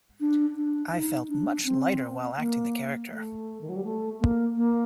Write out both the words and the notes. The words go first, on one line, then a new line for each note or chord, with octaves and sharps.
I felt much lighter while acting the character.
D4
D4
D#4
D4
C4
A#3
A3
D#3
F#3
G3
A3
A#3
A#3